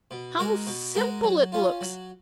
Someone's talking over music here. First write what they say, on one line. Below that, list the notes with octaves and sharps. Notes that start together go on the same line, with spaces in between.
How simple it looks!
B2
G#3 D#4 F#4 A#4
B2
G#3 D#4 F#4 A#4
F#3
C#4 F4
F#3